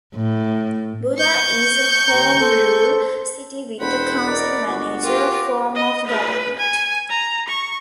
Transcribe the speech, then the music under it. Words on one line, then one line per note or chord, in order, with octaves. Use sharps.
Buda is a home rule city with a council-manager form of government.
A2
C#6 G6
D#2 A#5
A4 C5
E1 C5 F#5 B5
A#4 D5 D#5 A#5
G1 F#4 D6
F4 G4 A#4 G5 D6
D#5
B4
G#5
A#5
C#6